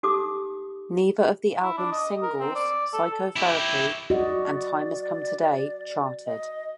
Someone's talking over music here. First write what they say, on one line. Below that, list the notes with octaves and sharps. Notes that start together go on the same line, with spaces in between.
Neither of the album's singles-"Psycho Therapy" and "Time Has Come Today"-charted.
D#4 G4 A4 D6 D#6
E4
D4
D#5
A#4
C4
D5
A4
E4 G4
F#4 D5 D#5
D#5